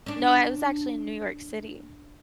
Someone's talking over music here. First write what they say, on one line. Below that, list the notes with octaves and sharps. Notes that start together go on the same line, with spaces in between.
No, I was actually in New York City.
C#4 D4